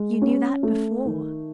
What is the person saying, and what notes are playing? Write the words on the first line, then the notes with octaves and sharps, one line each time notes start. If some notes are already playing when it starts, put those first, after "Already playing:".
"You knew that before."
Already playing: G#3
C#4
A3
D#3